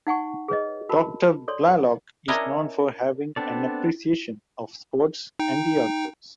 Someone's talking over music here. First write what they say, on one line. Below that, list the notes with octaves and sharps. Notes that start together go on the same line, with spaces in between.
Doctor Blalock is known for having an appreciation of sports and the outdoors.
D#4 F#5 G#5 C#6
G#4 B4 C#5 D#5
F#4 A#4 A5 B5
A4 C#5 D5 C6
C#4 D4 E4 A#4 C#5 D#5
B3 C4 D4 A4 D5
D#4 G5